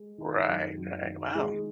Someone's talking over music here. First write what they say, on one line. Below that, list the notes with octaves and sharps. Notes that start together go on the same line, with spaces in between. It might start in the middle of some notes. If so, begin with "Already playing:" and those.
Right, right. Wow.
Already playing: G#3
D#3
F#2
F#2
D#3
D#3 G#3